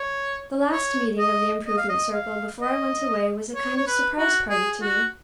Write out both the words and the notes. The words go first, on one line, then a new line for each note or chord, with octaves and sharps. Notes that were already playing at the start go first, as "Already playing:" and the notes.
The last meeting of the Improvement Circle before I went away was a kind of surprise party to me.
Already playing: C#5
C#5
D#5
D#5
F5
D#5
F5
D#5
C#5
C#5
B4
F#4
G#4
F#4